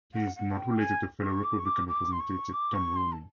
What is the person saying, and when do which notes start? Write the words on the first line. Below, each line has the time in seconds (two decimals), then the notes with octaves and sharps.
He is not related to fellow Republican representative Tom Rooney.
0.14 F#5
0.36 F#5
0.57 G5
0.78 G#5
1.22 C#6
1.43 D6
1.59 C#6
1.65 D6
1.88 D6
2.12 C6
2.20 C#6
2.53 D6
2.74 C#6
2.96 C6
3.12 A5